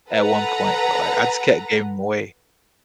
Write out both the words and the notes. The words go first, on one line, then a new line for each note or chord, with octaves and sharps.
at one point, but, like, I just kept gave them away,
A4 B4 F#5 A#5